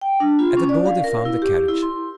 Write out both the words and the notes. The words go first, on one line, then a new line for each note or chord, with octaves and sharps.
At the door they found the carriage.
G5
D4
F4
C#4
D5
F5
A#4
E4
G4
E4
C6